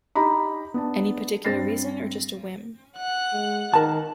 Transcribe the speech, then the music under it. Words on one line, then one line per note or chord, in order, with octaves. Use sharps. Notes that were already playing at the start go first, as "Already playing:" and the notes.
Any particular reason, or just a whim?
D#4 G4 D#5 A#5 B5
B3 D4 A5
G2 C4 C5 A6 A#6 C7
F#5 F#6
G#3
D#3 A#4 A5